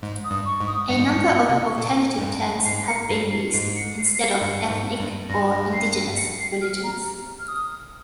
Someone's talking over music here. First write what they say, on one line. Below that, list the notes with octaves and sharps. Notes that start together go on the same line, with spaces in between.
A number of alternative terms have been used instead of "ethnic" or "indigenous" religions.
G#2
D#6
G2
C#6
G#2
D#6
G2 C#7
G#2
G2
G#2
C3
A#2
G#2
G2
G#2 C7
C#7
G2 C7
C7
G#2 C7
C#7
C7
C7
C#7
G2
G#2
G2
G2 A#6
C7
C#7
C7
F6
A#5
F6
D#6